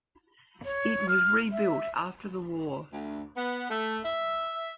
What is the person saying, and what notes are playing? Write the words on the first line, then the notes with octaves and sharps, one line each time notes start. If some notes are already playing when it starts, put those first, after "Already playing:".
It was rebuilt after the war.
C#5
F6
E5
D2
B3
A3
E5